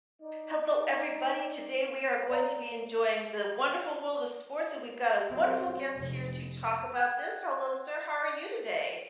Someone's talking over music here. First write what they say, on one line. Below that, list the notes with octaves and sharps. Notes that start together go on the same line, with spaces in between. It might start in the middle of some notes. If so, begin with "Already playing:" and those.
Hello, everybody. Today, we are going to be enjoying the wonderful world of sports, and we've got a wonderful guest here to talk about this. Hello, sir, how are you today?
D#4 D5
C#5 D5 F5 A#5
F#3 C4
F1
F#5 G5 F#6 G#6